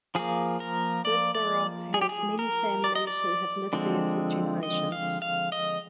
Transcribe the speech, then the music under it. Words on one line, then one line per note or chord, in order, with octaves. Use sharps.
Bidborough has many families who have lived there for generations.
F3 A#3 G#4
A#4
D5
D5
G#4
G4
G#4
A#4
D5
D#5
D5
D3 F3 G#3 C4
D#5
F5
F5
D#5